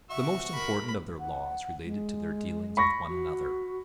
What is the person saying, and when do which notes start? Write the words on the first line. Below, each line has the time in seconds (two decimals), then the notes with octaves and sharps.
The most important of their laws related to their dealings with one another.
0.10 F#4 E5 C#6
0.54 A#4 B5
1.19 F#5
1.84 G#3
2.77 B5 C#6 A#6
3.09 F#4